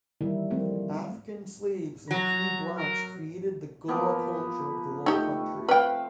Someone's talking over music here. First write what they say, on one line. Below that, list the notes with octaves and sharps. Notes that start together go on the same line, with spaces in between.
African slaves and free blacks created the Gullah culture of the Lowcountry.
D#3 E3 G3 A#3 E4 A#4
F3 G3 A3 A#3 C4
F#3 A#5
A#4
F3 A#3 B3
A3 D#4 G4
C4 B4 F5 G5